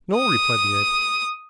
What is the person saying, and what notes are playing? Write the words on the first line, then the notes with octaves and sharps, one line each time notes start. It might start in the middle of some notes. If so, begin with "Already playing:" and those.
"No," replied the ape.
D#6